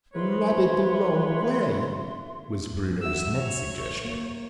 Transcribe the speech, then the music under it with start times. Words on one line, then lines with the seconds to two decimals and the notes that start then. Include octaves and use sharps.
"Rub it the wrong way," was Bruno's next suggestion.
0.14 G#2 F4 B4 C#5 E5 C6
3.02 F#3 F#4 E5 E6
3.34 C#5
4.05 A#3